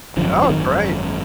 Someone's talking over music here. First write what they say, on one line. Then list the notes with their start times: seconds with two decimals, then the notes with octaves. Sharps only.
Oh, great.
0.17 G#1 F#2 D3 F3
0.44 F3
0.50 D#3